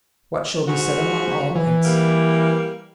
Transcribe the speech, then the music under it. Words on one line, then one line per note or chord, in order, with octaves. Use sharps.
What shall be said among all knights?
G#2 F#4
E3
G3 A#3